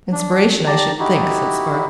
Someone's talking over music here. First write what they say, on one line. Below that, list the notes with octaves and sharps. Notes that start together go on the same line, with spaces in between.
"Inspiration, I should think," said Spargo.
D4
G4 D5 A5 A#5
D#4 E4 F#4 G4